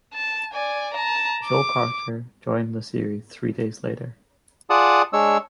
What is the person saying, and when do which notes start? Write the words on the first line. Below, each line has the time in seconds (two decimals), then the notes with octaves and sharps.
Joelle Carter joined the series three days later.
0.14 A5
0.54 D5 G#5
0.95 A5 A#5
1.45 D6
4.70 F4 G#4 D5 F#5 A5 D#6
5.13 G#3 D4 C#5 E6